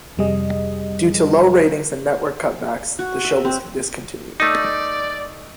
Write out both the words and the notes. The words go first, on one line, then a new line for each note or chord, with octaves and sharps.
Due to low ratings and network cutbacks, the show was discontinued.
F2 C3 G3 G#4 D#5
F#4
E5
C4
A3 D#4 D5